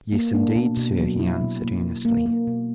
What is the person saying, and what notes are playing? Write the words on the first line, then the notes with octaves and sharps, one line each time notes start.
"Yes, indeed, sir," he answered, earnestly.
A#3
A#3 D4
B2
B2
F#3
B2 E4
B2
A#3
B2
A#3
A#3
B2